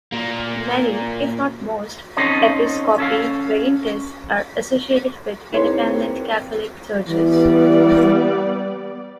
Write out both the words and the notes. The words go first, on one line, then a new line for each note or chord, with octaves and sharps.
Many, if not most, "episcopi vagantes" are associated with Independent Catholic Churches.
A#2 A#3
C4 C#4 D#4 A4 C5 C#5
C#4 A4 F5
C4 D#4 E4 G#4 A#4 B4 C#5 C6
E3 G3 B3 D5